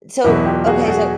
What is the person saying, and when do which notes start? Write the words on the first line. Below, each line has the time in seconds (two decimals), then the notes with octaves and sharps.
So, okay, so,
0.24 E2 B2 F#3 E4 F#4
0.46 F4 G4
0.67 F#4 G#4
0.84 A4
0.88 F#4 G#4